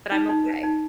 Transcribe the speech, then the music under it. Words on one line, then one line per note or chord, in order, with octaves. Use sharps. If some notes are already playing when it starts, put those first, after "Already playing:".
but I'm okay."
D#4
D#4
B4
D#4